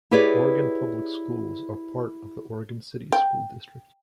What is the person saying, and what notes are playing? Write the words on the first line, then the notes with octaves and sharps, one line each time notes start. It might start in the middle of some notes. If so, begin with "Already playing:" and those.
Oregon Public Schools are part of the Oregon City School District.
E4 G4 G#4 B4 C#5 D5
G5